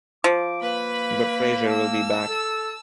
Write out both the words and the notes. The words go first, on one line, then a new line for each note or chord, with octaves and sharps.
But Fraizer will be back.
F3 D6
A#3 B4 B5
A5 E6
A4